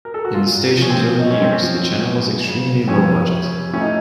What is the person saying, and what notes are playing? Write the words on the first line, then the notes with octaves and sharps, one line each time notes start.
In the station's early years, the channel was extremely low-budget.
A#4
A4
F#4
A#2 F4
F3 C#4
C4
F#2 D#4
C#4
C4
C#4
F3
F#2
C#3
F2 C#4
C3
A2 C#4
D#4